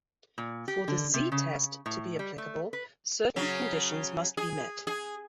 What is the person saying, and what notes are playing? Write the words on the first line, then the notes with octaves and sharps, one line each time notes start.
For the "Z"-test to be applicable, certain conditions must be met.
A#2
G4
D3
C3
C#3
A2
G3
A3
B4
C#3 F#3
G#4
G#4